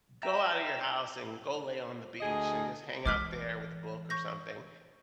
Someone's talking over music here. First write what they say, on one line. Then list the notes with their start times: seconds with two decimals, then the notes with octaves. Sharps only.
go out of your house, and go lay on the beach, and just hang out there with a book or something
0.23 E5 G5 A#5 E6
2.21 D2 G#4 D#5
3.06 E3 G#3 D6 F6 B6
4.10 C#6 G6 A#6